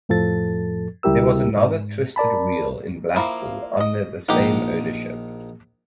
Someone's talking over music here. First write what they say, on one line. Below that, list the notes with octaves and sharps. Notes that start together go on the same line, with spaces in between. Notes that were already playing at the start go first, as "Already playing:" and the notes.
There was another Twisted Wheel in Blackpool under the same ownership.
F2 A2 F3 A4 A6
C#2 G3 E4 G4 A#4 E6
G#2
A#4 D5 A5 B5
F3 A#3 E4
D#5
A#1 D#4 G4 F#5